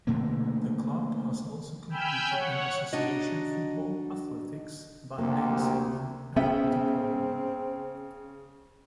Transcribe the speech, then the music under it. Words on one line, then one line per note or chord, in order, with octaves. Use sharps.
The club has also competed in association football, athletics, bandy, swimming, and water polo.
B2 D3 A3 A#3
G5 G#5 B5 E6 F6 G6
C#5 F#5
D4 D#4 F#4 D#5
D2 C3 A#3
C#3 B3 C4 E5 G5